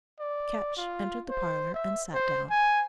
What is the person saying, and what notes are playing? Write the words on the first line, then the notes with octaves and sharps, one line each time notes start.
Ketch entered the parlour, and sat down.
D5
F4
C5
E5
C5
G#5